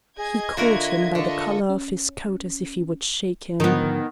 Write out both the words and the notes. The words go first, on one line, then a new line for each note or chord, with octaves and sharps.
He caught him by the collar of his coat as if he would shake him.
G#4 D#5 G#6
D3 F4 F#4 A#4 E5
D3 A4 D#5 C#6
C#4
G#2 D3 D#3 F3 B3